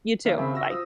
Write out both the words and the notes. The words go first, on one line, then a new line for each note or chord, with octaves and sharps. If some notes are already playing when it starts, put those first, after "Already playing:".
You, too. Bye.
D#3 A#3 E5 F5
C#3 C4 E5 B5
F#4 E6 A#6
F4 C5 D#6 E6